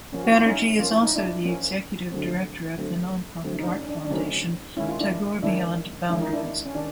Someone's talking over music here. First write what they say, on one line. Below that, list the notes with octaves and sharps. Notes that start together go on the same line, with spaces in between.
Banerjee is also the executive director of the nonprofit art foundation Tagore Beyond Boundaries.
F3 A#3 C#4
F#4
F4
E4
C#4 D#4
F3 A#3 C#4 F4
E4
D#4
D4 E4
F3 A#3 C#4
D3 F#3 A3 C4
D3 F#3 A3 C4
D3 F#3 A3 C4
D#4
D4
C#4
D4
D4
D3 F#3 A3 C4 C#4 D#4
D#3 G#3 C#4 E4
F4
D4 E4
D#3 G#3 C#4 D4 E4
D#3 G#3 C#4 E4
D#4
D4 E4
C#4
D#3 D4